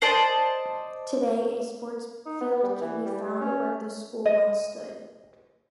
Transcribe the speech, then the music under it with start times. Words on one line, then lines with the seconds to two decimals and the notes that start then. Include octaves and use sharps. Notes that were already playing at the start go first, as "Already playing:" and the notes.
Today a sports field can be found where the school once stood.
0.02 C5 D5 D#5 A5
2.26 D#4
2.41 B3
2.63 G3
2.81 E3
3.05 G3
3.40 C#4
4.26 D#5